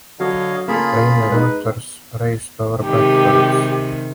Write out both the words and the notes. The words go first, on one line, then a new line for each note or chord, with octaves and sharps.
Rainer Reuter raced over backwards.
D3 F#3 C#5 D#5 F5
C#3 A#3 F4 G#4 A4 B5
G#3 D#4 B4
C3 D#3 G#3 G4